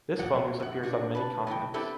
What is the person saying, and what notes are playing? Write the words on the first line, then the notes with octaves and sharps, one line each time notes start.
This fungus appears on many continents.
A#2 F3 F#5
F#2 F#5
A#2 D4 F#4
B4 A5
B2 E3 F#4 G5
B3 C4 D4 E4 G4 A4